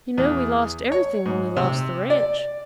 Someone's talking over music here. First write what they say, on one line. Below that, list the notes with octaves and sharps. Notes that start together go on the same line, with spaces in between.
You know we lost everything when we lost the ranch.
E2
C#5
G#2
C3
D5